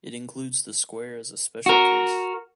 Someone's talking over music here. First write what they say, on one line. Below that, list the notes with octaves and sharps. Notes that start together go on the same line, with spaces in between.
It includes the square as a special case.
F#4 A#4